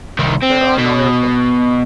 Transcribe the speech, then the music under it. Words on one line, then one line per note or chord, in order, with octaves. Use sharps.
There are no airports.
C2 D#3
C4
B2